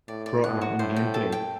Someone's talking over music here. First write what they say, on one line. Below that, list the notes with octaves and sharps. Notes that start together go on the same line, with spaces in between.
Pro-Am in gameplay.
A2 D5
D5
A2 F#5
F#4
A2 C5
G5
A4
G5